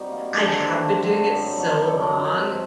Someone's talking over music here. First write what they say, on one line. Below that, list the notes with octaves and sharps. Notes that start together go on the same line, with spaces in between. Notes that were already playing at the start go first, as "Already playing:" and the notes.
I have been doing it so long,
Already playing: G3 C4 D#4 F#4
A#3
D3
C4 G4
A3
D3
D3
F#2
D#4
G3
F#4
F#2 G4
A4
F#2
A#4
F#2
C4